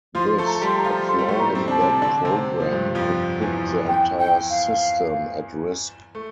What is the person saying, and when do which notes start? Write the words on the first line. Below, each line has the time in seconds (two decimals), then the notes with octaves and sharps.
Thus, a flaw in that program could put the entire system at risk.
0.15 F3 F4 C6
0.38 A3 A4
0.46 A#5
0.55 A4
0.62 G3 G4
0.66 C6
0.78 A#5
0.85 F3 F4
1.08 A3 C6
1.19 G3
1.28 A2 A3
1.40 A#5
1.55 C4
1.68 D4 A5
1.81 C3 C4
2.02 D3 D4
2.25 C3 C4
2.60 F3
2.72 G2 G3
2.95 F2 F3
3.42 E2 E3
3.88 G5
4.19 G5
4.50 F5
6.15 A3